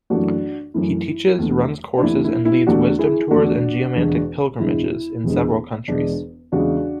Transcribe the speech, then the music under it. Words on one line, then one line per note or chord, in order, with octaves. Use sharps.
He teaches, runs courses and leads wisdom tours and geomantic pilgrimages in several countries.
F#2 E3 A3 D4 F#4
F#2 E3 A3 E4
E2 D3 A3
D4
E2 D3 A3 E4
E4
E4
E2 D3 A3 D4 F#4
E4 G#4
E2 D3 A3 D4 F#4
E1 E2 D3 G#3
E1 E2 D3 G#3 E4
E1 E2 D3 G#3
E1 E2 D3 G#3 D4
E2 C#3 G#3 D4 F#4